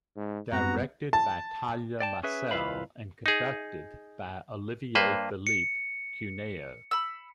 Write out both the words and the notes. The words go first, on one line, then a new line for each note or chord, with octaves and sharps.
Directed by Talya Masel and conducted by Ollivier-Philippe Cuneo.
G#2
F#2 G3 B3 C4 F#4 A#5
A5
D5 G5 A5
C#4 G#4 B4 E5
C2 E4 F4 B4 F5 B5
D#4 G#4
G2 A#3 B4 C5
C#7
B5 E6